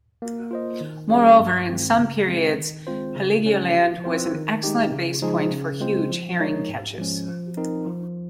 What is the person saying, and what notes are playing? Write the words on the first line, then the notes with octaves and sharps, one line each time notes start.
Moreover, in some periods Heligoland was an excellent base point for huge herring catches.
A#3
F4 C5 D#5
D#3
G3 A#3 C#4 G#4
G2
D#3 G#3 C4
C#3
G#3 C4
D#3
G#3 C4 F4 C5
C#3
G#3 C#4
F3
C4 F4 C5
D#3
G#3 D#4 G4
C#3
F3 G#3 D#4 G#4
C#3
G#3 C4 F4 C5
F3
G#3 D#4 A#4 C#5
G#2
F3 G#3 C#4
F3
C4 D#4 A#4
F3